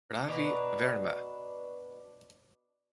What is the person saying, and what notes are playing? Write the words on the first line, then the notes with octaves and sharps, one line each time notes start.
Ravi Verma.
B2 D4 B4 A#5